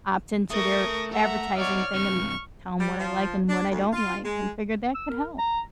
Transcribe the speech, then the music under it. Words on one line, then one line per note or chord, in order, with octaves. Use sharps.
opt into their advertising thing and tell 'em what I like and what I don't like, and figured that could help.
A3 A#4 C#6 D#6 A#6
E5 F#5 A#5
D#4 F#4 C#5 D5 F6
G2 C3 C#6
G3
F3
D4
D2
F4
G#3
E6
A#4
A#5